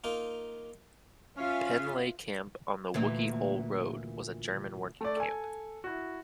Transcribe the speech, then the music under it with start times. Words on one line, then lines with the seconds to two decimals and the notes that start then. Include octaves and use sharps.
Penleigh Camp on the Wookey Hole Road was a German working camp.
0.04 A#3 D#4 F4
1.38 C#4 F4 E5 F5
2.94 D2 A#2 E3
5.01 A3 D5
5.17 A4 G#5
5.84 E4 F#4